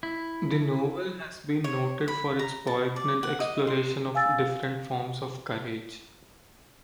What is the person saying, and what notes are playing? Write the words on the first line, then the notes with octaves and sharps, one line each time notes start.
The novel has been noted for its poignant exploration of different forms of courage.
E4
C#5
B5
A#5
A5
D5
F#5
D#5
C6
F5 G#5 E6 A6